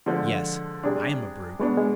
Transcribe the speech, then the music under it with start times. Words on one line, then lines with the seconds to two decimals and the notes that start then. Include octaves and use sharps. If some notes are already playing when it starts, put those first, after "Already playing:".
Yes, I am a brute.
0.06 D3 F3 G#3
0.83 C3 G3 D4 G#4
1.60 B2 G#3 B3 D4
1.77 G#3